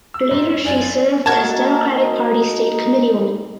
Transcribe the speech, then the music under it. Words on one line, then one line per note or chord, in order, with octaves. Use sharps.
Later she served as Democratic Party State Committee Woman.
E6
G#2
C#4
F#1 D5 G#5
A#3 D#4 F#4 A#4 A5 G#6